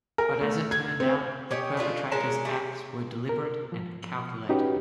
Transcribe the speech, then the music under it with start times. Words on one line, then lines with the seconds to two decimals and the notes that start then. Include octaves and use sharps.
But as it turned out, the perpetrator's acts were deliberate and calculated.
0.18 A#4
0.41 A3
0.71 G#6
1.00 C4
1.51 C#4 G4 C#5 D#5
1.77 A3 D4 F4
2.11 G#3 C#4 A#4 A5
2.45 G3 A3
3.29 A#4
3.72 F3
4.49 C#4 D#4 F#4 G4 B4